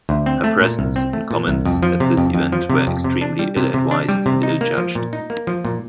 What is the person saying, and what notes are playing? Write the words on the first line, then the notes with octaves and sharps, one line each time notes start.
Her presence and comments at this event were extremely ill-advised and ill-judged.
D2
C4
A3
A#2
C2
C4
A3
A#2
C2
F2
F3
C3
F2
F2
F3
C3
F2
C3
D4
G3
C3
C3
D4
G3
C3
D#4
A#3
F3
A#2
D#4
A#3
F3
A#2